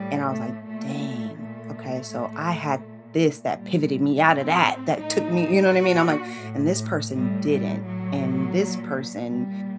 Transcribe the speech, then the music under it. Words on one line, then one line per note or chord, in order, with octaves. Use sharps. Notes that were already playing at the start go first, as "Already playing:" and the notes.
and I was like, "Dang. Okay, so I had this that pivoted me out of that, that took me" you know what I mean? I'm like, "And this person didn't, and this person"
Already playing: A2 G3
A3
A#2 A3
A#2 A3
A2
A#2
A#2 G3
A2 C4
A2 D#4
A#2 F#4
A2
A2 G3
G3
A2 F#3
A#2
A#2 G3